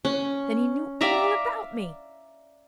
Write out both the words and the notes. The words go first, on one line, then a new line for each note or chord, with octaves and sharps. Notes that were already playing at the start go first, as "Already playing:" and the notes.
Then he knew all about me!
C#4
D5 E5 F5 A#5